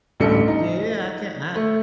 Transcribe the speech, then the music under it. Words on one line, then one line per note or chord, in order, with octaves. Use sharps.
Yeah, I can't I
A1 D2 G3 A4 C#7
D#4
A3